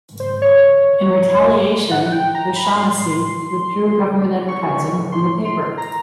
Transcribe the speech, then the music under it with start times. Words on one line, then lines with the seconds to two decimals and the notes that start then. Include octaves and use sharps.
In retaliation, O'Shanassy withdrew government advertising from the paper.
0.20 C5
0.42 C#5
1.91 F#5
2.06 F#5
2.12 G5
2.35 A#5
2.56 B5
2.76 C6
2.98 C6
4.48 C#6
5.12 C6
5.45 C6
5.78 A#5